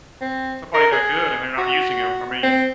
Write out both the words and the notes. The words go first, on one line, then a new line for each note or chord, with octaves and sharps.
somebody that good, and they're not using him, I mean
C4
A#4
G#4
F#4
C4